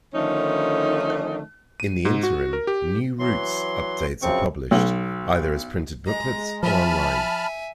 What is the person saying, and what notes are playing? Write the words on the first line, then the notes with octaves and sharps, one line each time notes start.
In the interim, "new routes" updates are published, either as printed booklets or online.
D3 D#3 F3 A3 C#4 D#4
D#7
G#2
F#4
A#4
G4
E3 F#3 C6
F#2 C#3 F3 C4 C#6
B1
G#3 A#5
F3 E5 G#5 A5 B5 F6